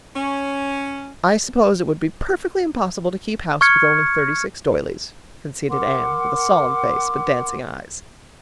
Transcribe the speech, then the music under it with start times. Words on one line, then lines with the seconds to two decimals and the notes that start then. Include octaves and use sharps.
"I suppose it would be perfectly impossible to keep house with only thirty-six doilies," conceded Anne, with a solemn face but dancing eyes.
0.15 C#4
3.61 C#6 F6 G#6 C#7
5.69 A#4 F#5 C6 D6